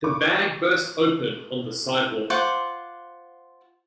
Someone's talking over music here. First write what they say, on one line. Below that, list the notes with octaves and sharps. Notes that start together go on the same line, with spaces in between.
The bag burst open on the sidewalk.
C#6 D6
F4 C5 F#5 D6